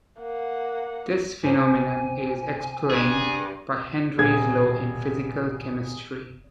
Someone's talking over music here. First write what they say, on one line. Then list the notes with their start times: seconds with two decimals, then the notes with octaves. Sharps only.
This phenomenon is explained by Henry's Law in physical chemistry.
0.20 A#3 F#5
1.43 C3 C5 G#5
2.91 G2 G#4
4.18 D#1 G#4 G#6